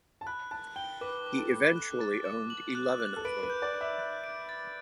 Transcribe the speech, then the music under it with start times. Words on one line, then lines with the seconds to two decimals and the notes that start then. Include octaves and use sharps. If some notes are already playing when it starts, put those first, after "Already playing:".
He eventually owned eleven of them.
0.21 A5
0.26 B5 F#6
0.51 A5 F#6
0.76 G5 G7
1.01 B4 D6
1.26 D6
1.38 A4
1.51 D6
1.76 F#6
2.01 A6
2.25 D6
2.50 F#7
2.75 F#6
3.00 F#6
3.16 A4
3.25 B4 D7
3.43 B4
3.50 G6
3.62 D5
3.74 D7
3.81 E5
3.99 F#6
4.24 D7
4.49 A6